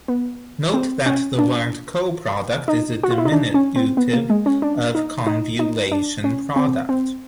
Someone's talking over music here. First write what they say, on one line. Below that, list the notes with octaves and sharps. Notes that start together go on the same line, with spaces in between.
Note that the word "coproduct" is a diminutive of "convolution product".
B3
C4
C#4
D4
D#4
F#4
F4
E4
D#4
D4
C#4
C4
B3
A#3
G#3
C#4
D4
D#4
D#4
D#4
D4
C#4
C4
C4